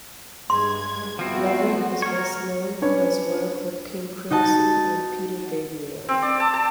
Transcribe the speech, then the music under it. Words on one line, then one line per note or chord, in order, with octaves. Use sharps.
Levin is best known for his work with King Crimson and Peter Gabriel.
G2 G#3 C6 G#6
F3 G3 B3 C4 E4 F#4
A#4 C#5
C#4 D4 B4 C#5
D#4 F#4 D#5 A5
C4
D5
A5
A5